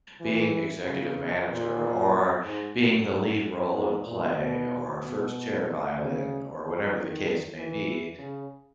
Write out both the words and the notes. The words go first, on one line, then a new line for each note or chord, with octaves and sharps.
being executive manager or being the lead role in a play or first chair violin or whatever the case may be.
E3
C#3
A#2
G#2
F#2
G#2
A#2
B2
B2
C#3
D#3
E3
C#3